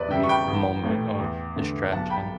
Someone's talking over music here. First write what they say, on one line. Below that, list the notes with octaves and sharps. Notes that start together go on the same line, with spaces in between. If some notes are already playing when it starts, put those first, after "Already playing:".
brief moment of distraction.
Already playing: E2 B4 D5 E5
C#3 G3 E5 G5
C#6
G5 B5
A1
A2 E3 A3
E2
D3 A3
B1 F#5 A5
G5 B5